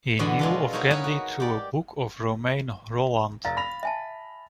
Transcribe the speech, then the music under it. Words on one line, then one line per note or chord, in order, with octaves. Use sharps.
He knew of Gandhi through a book by Romain Rolland.
E2 B2 D3 F#4 B5 C6
G#3 F4 A4
D#4 E4 F#4 A#4 C#5 E5
G#4 A#4 B4 C#5 D#5
F#4
G4 D5
F1 F5 A#5 A6
B5 A#6 F7
E5 G#5 A5